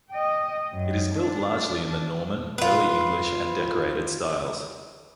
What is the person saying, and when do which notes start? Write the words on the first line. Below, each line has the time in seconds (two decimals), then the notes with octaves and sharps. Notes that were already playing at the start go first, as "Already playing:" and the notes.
It is built largely in the Norman, Early English and Decorated styles.
0.10 D#5 G5
0.73 F#2
1.16 D4
2.58 F4 B4